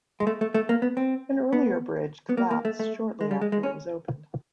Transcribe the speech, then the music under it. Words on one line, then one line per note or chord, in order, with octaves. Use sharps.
An earlier bridge collapsed shortly after it opened.
G#3
A3
A3
A3
A#3
B3
C4
B3
B3
A#3
A#3
A3
A3
G#3
G3
G#3
G#3
C#4